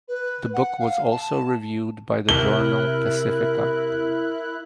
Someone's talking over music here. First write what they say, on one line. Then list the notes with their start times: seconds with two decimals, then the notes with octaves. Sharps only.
The book was also reviewed by the journal "Pacifica".
0.08 B4
0.53 F#5
0.79 F5
1.11 A5
2.29 C3 E4 A#4 F#6 G7